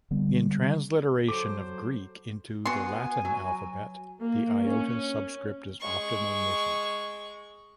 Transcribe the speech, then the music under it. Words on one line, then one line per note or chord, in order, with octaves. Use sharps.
In transliteration of Greek into the Latin alphabet, the iota subscript is often omitted.
D3 G3 G#3 B3
F#3 A4 C5 D6
B3 F#4 G#5 C6
F#3
A#3
C#4
G#3 C#6